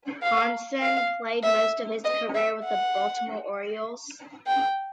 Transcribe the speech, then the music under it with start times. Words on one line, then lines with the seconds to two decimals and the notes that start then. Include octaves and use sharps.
Ponson played most of his career with the Baltimore Orioles.
0.22 F5
0.82 F5
1.43 E5
2.04 D#5
2.35 E5
2.65 F#5
4.47 G5